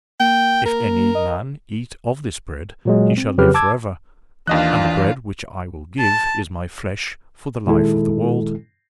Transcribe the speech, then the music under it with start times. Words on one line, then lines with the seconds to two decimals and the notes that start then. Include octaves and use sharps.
If any man eat of this bread, he shall live forever; and the bread which I will give is My flesh, for the life of the world....
0.20 A#3 G5
0.65 A#4
1.15 D#5
2.85 A#2 F#3 G#3
3.17 C4
3.38 F2 C#3 F#3 G4 B4 F6
3.54 A5 D6 E6 G#6
4.47 D#2 E3 D4 F4 D#5 F5 F#6
5.99 A5
7.66 A#2 D#3 G#3 E4 A4